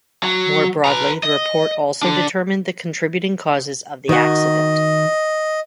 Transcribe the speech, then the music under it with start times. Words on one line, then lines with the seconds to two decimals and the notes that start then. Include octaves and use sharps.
More broadly, the report also determined the contributing causes of the accident.
0.23 F#3
0.85 B4 A#5
1.23 D#5
2.03 D3 D4
4.09 D#3 F#4 D#5